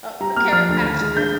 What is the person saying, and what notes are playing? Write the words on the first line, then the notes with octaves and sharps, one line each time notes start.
Oh, a carrot pasture.
G3 A#5
A#3 F6
F3 F6
D2
D#3
G#3
D4 G6